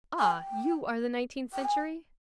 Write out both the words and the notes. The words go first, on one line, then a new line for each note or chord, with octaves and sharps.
Ah! you are the nineteenth century?
G#5
G5
G5
G#5